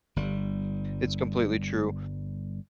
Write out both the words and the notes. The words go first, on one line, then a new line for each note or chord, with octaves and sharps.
It's completely true,
G1 G3